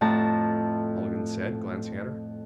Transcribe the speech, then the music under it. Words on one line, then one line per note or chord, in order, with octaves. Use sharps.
Mulligan said, glancing at her.
F2 A2 F3 A5 A#5